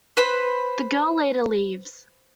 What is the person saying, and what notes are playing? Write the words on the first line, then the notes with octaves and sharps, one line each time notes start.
The girl later leaves.
B4 C5 B5